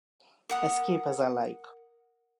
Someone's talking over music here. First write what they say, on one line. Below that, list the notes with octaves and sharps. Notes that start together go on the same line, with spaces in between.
Escape as I like.
A#4 F#5 D#6